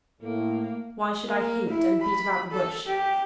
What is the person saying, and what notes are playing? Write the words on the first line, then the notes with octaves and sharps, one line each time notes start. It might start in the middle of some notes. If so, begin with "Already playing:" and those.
Why should I hint, and beat about the bush?
A2 A#3
A#3
E4
B5
A4
G4